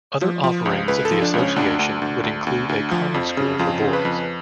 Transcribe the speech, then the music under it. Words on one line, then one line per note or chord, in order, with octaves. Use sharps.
Other offerings of the association would include a common school for boys.
F3
F3
C#2
C#2 B4
A4
F3
D4
C#2
C#4
D2 D4
D2
D2
D2
D2
D2
F3
F2
C#3
F2 F4
C#3
B4
F2